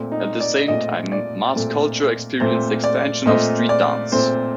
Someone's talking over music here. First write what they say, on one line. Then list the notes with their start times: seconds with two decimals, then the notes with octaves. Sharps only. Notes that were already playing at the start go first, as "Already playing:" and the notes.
At the same time, mass culture experienced expansion of street dance.
Already playing: A#2 A3 C4
0.12 D#4
0.40 D5
0.68 A#2 A3 C4 D#5
1.12 D5
1.54 A#2 A3 C4
2.40 A#2 A3 C4 C5
2.84 D5
3.26 A#2 A3 C4 D#5
3.69 D5
4.12 A#2 A3 C4 C5